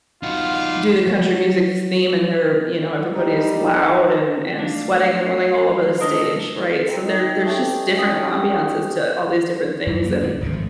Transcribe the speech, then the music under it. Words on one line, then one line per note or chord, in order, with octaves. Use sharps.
do the country music theme and they're everybody's loud and and sweating and running all over the stage, right? So, there there's just different ambiences to all these different things, and,
D#4 F4 F#4
F#3
G3 D#4
A3 D4 F5
D#3 D4 A4 A#4 D#5
C4 G5 A#5
D#4
A3 C#4 G4
C#4 G5 D#6
G4
F#2
F#3 A#3
D2 A#2 C#3
G#1 D2 G2 C#3
G#1 F3 A3